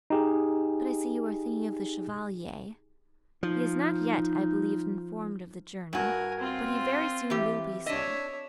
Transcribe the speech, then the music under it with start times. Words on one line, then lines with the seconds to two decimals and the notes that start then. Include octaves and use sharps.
But I see you are thinking of the Chevalier; he is not yet, I believe, informed of the journey, but he very soon will be so.
0.10 D#4 G4 G#4
3.43 F3 D#4
5.93 G2 F#4 A#4 G#5
6.40 C4 F4
7.30 E3 G4
7.86 D4 C#5 D#5 E5